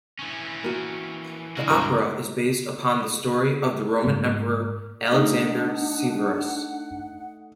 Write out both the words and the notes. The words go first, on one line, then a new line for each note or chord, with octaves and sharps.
The opera is based upon the story of the Roman Emperor Alexander Severus.
E3 C#4
A#3 F#4 D#7
C#3 E3 G#3 D4 F#4
C#2 G2 B2 A#4
G#2 G#3 A#3
A3 D4 D#4 F#5